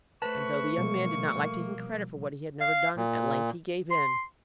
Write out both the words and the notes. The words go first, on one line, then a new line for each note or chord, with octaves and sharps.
And though the young man did not like taking credit for what he had never done, at length he gave in.
A3 B4 C5 A5 C#6
B2 F3 G3 A#3
F5
A#2
C6